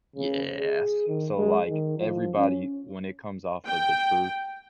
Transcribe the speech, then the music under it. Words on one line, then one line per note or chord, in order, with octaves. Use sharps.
Yes, so like everybody when it comes off of the truth,
C#3
G#4
D#3
G#3
D#3
F3
C#4
G5